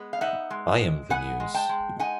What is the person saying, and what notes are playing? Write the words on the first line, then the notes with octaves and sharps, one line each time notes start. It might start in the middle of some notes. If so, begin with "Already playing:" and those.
I am the news.
Already playing: G#3 B3
F5
D#4 E5 F#5
G#3
G#3
B3 F#5 G#5
G#3
G5 A5
G#3
D#4 F#5 G#5